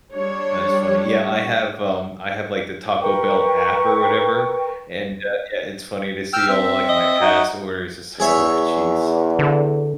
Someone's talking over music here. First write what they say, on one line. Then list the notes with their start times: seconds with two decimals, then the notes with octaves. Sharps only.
That's funny. Yeah, I have, um I have, like, the Taco Bell app, or whatever, and, uh, yeah, it's funny to see all, like, my past orders, it's like, "Oh, jeez."
0.13 G3 D4 C#5
3.00 A#4 B4 G5 C#6
6.33 G5 E6 F6
6.49 C4 E5
6.89 D#5
7.21 D#4 F#4
8.20 E2 G#4 C#5 E5
9.39 D3